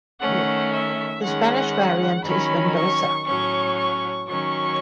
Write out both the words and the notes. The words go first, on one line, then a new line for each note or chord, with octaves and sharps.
The Spanish variant is Mendoza.
D#3 A3 C#4 F#5
E5
D#3 G#3 C#4 F#5
D#3 F#3 C#4 B5
C#6
A2 F#3 C#4 C#6
C#6
D#3 F#3 C#4 C#6